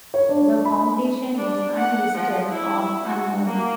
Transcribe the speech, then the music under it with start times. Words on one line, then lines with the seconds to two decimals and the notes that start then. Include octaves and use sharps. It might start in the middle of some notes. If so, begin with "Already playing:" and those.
The foundation is unlisted or unknown.
0.14 C#5
0.29 D4
0.65 B5
1.37 D4
1.75 F#5
2.15 F3
2.49 E4
3.05 F#4
3.45 A#3